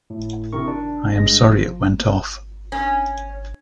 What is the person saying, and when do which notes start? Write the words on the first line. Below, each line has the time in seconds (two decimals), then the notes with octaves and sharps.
I am sorry it went off.
0.10 A2
0.53 C3 D#3 D4 E4 A#4 C#6
0.68 D4
1.12 G2 G#3 A#6
1.47 F3
2.72 C#4